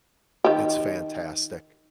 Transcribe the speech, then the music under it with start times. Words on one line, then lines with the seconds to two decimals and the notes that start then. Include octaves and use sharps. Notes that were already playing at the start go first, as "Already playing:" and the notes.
It's fantastic.
0.44 D#3 G4